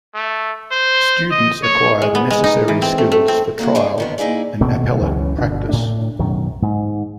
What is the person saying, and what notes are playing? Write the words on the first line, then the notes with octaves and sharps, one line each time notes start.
Students acquire the necessary skills for trial and appellate practice.
A3
C5
D#5
C#5
G#3
B3
G#3
D#4
E3
C4
A3
A3
C4
A#3 E4 F#4
D4 D#4 G#4 D5
D3 D#3 B3
A#3 D#4 E4 G#4 D5
D#1 B2 A3
C#2 F#2 E3 C#4
G1 B2 D3 D4
A2 D4
B1 F#2 D#3
G#2